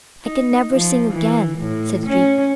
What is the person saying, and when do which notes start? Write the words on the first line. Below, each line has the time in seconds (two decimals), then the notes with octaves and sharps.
"I can never sing again," said the dream.
0.25 D#4
0.72 F3
1.13 E3
1.58 A2
2.06 C#4